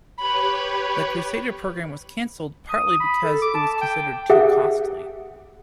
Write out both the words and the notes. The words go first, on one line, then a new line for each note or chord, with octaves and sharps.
The Crusader program was cancelled, partly because it was considered too costly.
G4 B4 C#5 B5
D#6
B5
A4
D6
A5
G5
G4 G#4 E5 F#5